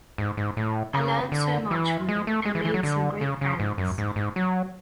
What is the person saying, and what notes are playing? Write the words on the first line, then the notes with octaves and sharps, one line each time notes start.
I learnt so much from them and made some great friends.
G#2
G#2
A2
C#3
D3
E3
G#3
A3
G#3
E3
E3
F#3
D3
C#3
C#3
G#2
F#2
G#2
G#2
F#3